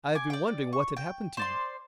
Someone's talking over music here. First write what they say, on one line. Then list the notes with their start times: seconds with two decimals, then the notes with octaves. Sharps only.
I have been wondering what had happened to you.
0.15 G#5 D6
0.30 D5 G5
0.73 C#6
0.97 G5
1.37 C5 D5 C6